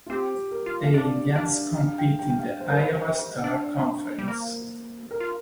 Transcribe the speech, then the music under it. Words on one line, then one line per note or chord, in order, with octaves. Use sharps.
The Indians compete in the Iowa Star Conference.
F4
C4 G4
A#4
F4
F5
D4 D5
D4 F5
F5
G5
G5
G5
F5
C5
A#4
C5
D4
G3
A#3
A#4
F4